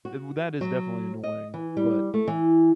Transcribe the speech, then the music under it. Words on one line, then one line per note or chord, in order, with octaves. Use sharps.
w that is definitely annoying, but
F#4
F#3
D#5
E3
G3
A3
E3